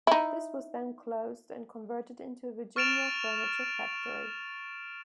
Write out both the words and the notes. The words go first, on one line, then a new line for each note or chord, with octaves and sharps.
This was then closed and converted into a Virginia furniture factory.
D#4 E4
C#6 F6 A6 D7 E7 F7